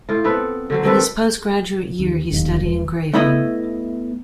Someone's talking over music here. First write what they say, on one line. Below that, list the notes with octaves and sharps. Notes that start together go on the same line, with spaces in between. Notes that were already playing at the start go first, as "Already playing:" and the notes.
In his postgraduate year he studied engraving.
A2 F4
B3 C4 A4 B4
D3 F#3 C4
D#3 C4 A4 B4
D#2
D1 D#2 A2
E1 E3
A3 B3 E4 D#5